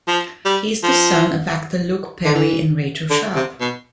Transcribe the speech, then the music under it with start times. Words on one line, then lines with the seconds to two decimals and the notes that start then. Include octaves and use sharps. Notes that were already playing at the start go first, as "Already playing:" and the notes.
He is the son of actor Luke Perry and Rachel Sharp.
0.07 F3
0.45 G3
0.83 F3
2.25 D3
2.35 E3
3.10 D3
3.35 C3
3.60 B2